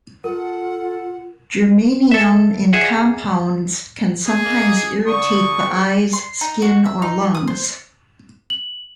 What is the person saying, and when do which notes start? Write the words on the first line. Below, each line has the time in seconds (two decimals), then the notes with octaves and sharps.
Germanium, in compounds, can sometimes irritate the eyes, skin, or lungs.
0.24 F4 A4 A#4 F#5
2.11 A4 E5
2.73 G#4 E5 F#5
4.26 G#4
4.44 A#3 D#5
5.06 D3 C#6 D#6
5.64 G#2 C5 G5
6.13 C6
6.41 D#4
6.62 F#4
6.85 E5
7.02 D#4
7.35 D#6
7.47 C5
8.50 F#7